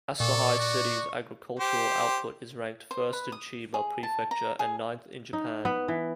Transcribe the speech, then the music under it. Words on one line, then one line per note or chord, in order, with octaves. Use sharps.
Asahi City's agricultural output is ranked first in Chiba Prefecture and ninth in Japan.
A#2 A4 D5 C#6
F#4
G4 C5
C5
B4
D#6
G#4
A5
A#5
G#4
D#4
B3
E3